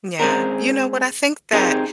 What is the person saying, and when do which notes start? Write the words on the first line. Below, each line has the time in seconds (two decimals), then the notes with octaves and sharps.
Yeah. You know what, I think that
0.19 G#3 C4 C#4 A#4
1.53 C4 D#4 G4 G#4 A#4